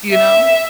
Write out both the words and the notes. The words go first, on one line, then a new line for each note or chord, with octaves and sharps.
You know?
E5